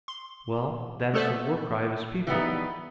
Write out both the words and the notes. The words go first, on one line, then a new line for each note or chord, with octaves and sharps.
Well, that is the war-cry of his people.
C6
A3 B3 A4 C5 D5 E5
E3 G3 B3 D#4